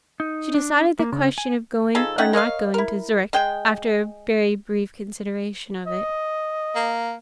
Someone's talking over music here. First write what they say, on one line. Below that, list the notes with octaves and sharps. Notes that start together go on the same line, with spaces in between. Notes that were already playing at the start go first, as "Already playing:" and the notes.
She decided the question of going or not going to Zurich, after a very brief consideration of it.
D#4
D4
A#3
C#3
G#5
F3 D#4 G#4 A4
C#4 D#4 F#5 G5
A#4 C#5 D#5 F5
E4 A#4
G#3 G#4 G5
D#5
A#3